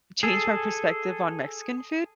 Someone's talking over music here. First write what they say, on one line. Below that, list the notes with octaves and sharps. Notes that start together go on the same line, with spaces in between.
changed my perspective on Mexican food,
G#4 A4